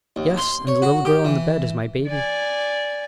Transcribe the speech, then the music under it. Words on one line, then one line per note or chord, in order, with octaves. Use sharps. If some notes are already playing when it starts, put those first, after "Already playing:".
"Yes, and the little girl in the bed is my baby."
D#2
C6
C#5
F#4
G4
E3
D5 G#5